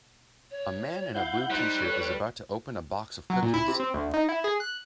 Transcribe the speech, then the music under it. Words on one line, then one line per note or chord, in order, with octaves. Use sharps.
A man in a blue tshirt is about to open a box of cookies.
C#5
E4 F5 F#5 G6
G3 D#4 C5 F#6
A4 B4 C#5
F#3
A#2
E4
C3
C4
D2
D#4
E4
G#4
F#6